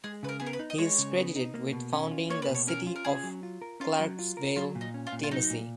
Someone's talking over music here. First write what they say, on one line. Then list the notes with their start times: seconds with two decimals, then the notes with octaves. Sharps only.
He is credited with founding the city of Clarksville, Tennessee.
0.04 G#3 G#4
0.23 C#3 B4
0.29 A#4
0.40 B3 G#4
0.46 A#4
0.53 B4
0.59 D#4
0.70 D#5
0.78 G#3 C#5
0.98 C#3
1.16 B3
1.36 D#4
1.54 A#3
1.73 B2
1.93 C#4
2.11 F4
2.30 A#3 C#5
2.42 B4
2.48 B2
2.54 C#5
2.67 C#4 A#4
2.87 F4
2.96 A#4
3.05 C#4 G#4
3.23 F#3
3.43 F4
3.62 A#4
3.80 C#4 F4
3.99 F#3
4.19 F4
4.37 A#4
4.56 F#3 F4
4.75 A#2
4.81 D#4
4.94 C#4
5.07 F4
5.12 A#2
5.23 F4
5.31 F#3 D#4
5.50 A#2